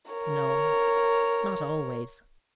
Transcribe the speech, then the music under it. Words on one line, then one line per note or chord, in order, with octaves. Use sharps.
"No, not always."
A#4 C#5